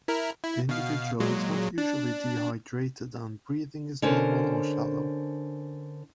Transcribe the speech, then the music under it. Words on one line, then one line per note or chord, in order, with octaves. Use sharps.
The individual is not usually dehydrated and breathing is normal or shallow.
E4 A#4
E4
B2 F5
A#2 F#3 G#3
D4
D3 C#4 A#4 C5